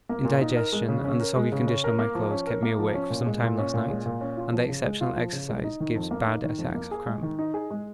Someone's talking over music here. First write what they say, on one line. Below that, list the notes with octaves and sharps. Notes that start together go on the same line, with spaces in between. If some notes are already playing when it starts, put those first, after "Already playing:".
Indigestion and the soggy condition of my clothes kept me awake for some time last night, and the exceptional exercise gives bad attacks of cramp.
A#3
A#2
D#4
A#4
G#3
C#3
C#4
A#4
G#3
C#3
C#4
A#4
A#3
F3
C#4
A#4
A#3
F3
C#4
A#2
G#3
A#2
C#4
A#2
G#3
A#2
C#4
F4
F3
C#3
G#3
F4
F3
C#3
G#3
D#4
D#3
F2
A#3
D#4
D#3
F2
A#3
G#4
G#3
D#3
D#4
G#4
G#3